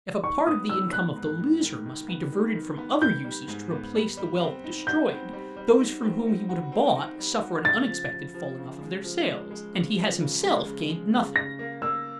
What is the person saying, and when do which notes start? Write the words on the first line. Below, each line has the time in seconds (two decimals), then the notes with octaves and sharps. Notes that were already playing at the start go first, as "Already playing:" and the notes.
If a part of the income of the loser must be diverted from other uses to replace the wealth destroyed, those from whom he would have bought suffer an unexpected falling off of their sales, and he has himself gained nothing.
0.23 D#3 C#6
0.47 B3 D#6
0.69 D#3 E6
0.93 B3 F#6
1.16 G#2
1.39 D#3
1.63 D#3
1.86 D#3
2.08 B3
2.32 D#3
2.55 D#3
2.78 B3
3.02 D#3 G6
3.24 G3
3.48 G#2
3.71 B3
3.94 G3
4.17 G3
4.40 C4
4.64 D#4
4.87 F#4 G6
5.10 C4
5.33 G3
5.56 G3
5.79 D#4
6.03 C4
6.26 D#4
6.49 F#4
6.72 C4
6.95 D#4
7.19 G3
7.42 F#4
7.65 C#3 A6
7.88 F3
8.11 F3
8.34 F3
8.57 C#3
8.81 G#3
9.04 F3
9.27 G#3
9.51 G#3
9.73 C#3
9.97 F3
10.19 C#3
10.43 G#3
10.66 C#3
10.89 G#3
11.12 C#3
11.36 C#3 A#6
11.59 A#3
11.82 A#3 E6